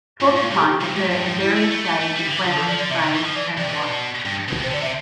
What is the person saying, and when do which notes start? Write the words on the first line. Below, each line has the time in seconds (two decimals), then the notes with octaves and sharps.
Porcupines occur in various shades of brown, gray, and white.
0.20 G2 F4
0.32 F4
0.36 A2
0.43 F4
0.50 C3 G4
0.61 A4
0.66 G4
0.81 C3 F4
0.95 A2 G4
1.10 G2 F4
1.26 A2 F4
1.41 G3 E4
1.56 A3
1.71 A3
1.85 A3
2.01 A3
2.16 G3
2.25 D3
2.31 E3
2.45 D3 F4
2.57 E3 A4
2.68 F3 D5
2.79 D3 D5
2.90 C3 E5
3.01 D3
3.13 E3
3.25 F3
3.35 E3 D5
3.57 C3 D5
3.69 B2
4.25 G2
4.48 B2
4.59 C3
4.63 C5
4.70 D3 D5
4.82 C3 E5